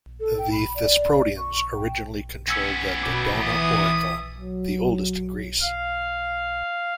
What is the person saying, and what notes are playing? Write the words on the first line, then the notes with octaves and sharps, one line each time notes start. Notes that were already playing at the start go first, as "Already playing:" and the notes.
The Thesprotians originally controlled the Dodona oracle, the oldest in Greece.
A4
G5
B5
D5
C#6
G5
B3 C#4 E6 G#6
B2 B4 D6
E3 D#6 A6 B6
F#3
F5